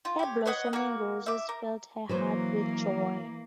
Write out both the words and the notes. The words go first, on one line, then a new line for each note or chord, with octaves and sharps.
Her blossoming roses filled her heart with joy.
F4
G4 C#5
B4 C#5 D#5 F#5
A#3 F#4
E5 D6
A#4
E3 F#3 A#3 B4 C5